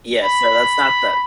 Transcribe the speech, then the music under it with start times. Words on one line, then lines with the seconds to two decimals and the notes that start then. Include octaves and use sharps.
Yeah, so that's not the
0.22 B5